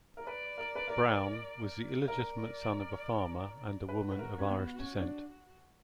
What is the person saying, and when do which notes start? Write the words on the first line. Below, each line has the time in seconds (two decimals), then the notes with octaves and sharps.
Brown was the illegitimate son of a farmer and a woman of Irish descent.
0.17 A#4
0.27 B4 D5
0.58 A#4
0.75 B4
0.88 A#4
2.07 A#4 D5
3.88 F#4 B4
4.11 B4
4.19 A#4
4.38 C#4
4.48 B3
4.79 C#4
5.01 D4